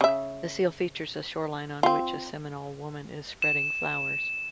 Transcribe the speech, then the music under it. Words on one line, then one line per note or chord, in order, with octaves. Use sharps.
The seal features a shoreline on which a Seminole woman is spreading flowers.
C#3 E5
C4 F4
E7